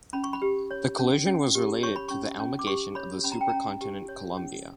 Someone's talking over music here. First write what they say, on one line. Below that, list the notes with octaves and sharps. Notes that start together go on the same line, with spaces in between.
The collision was related to the amalgamation of the supercontinent Columbia.
C#4 B5
C#6
B5
G4
C#5
C#4
C#4
G4
C#5 C#6
B5
C#4 C#6
C#4
D6
G4 C#6
C#5 B5
C#4 B5
A#5
G5
C#4 A#5
G4
C#5
C#4